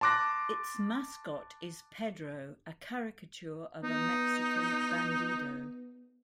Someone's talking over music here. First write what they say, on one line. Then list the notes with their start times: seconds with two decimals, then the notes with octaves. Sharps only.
Its mascot is Pedro, a caricature of a Mexican bandido.
0.01 A5 C6 D6 F#6 A#6
3.83 B3 D#4